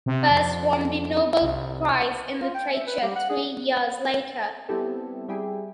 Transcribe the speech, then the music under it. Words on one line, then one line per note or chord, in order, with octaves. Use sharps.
Perse won the Nobel Prize in Literature three years later.
C3
F2
C2
F4
G5
E5
B4
G3
F#5
G#4
G3 B3 C4 E4 G4 A4
G3 E4 G4 G#4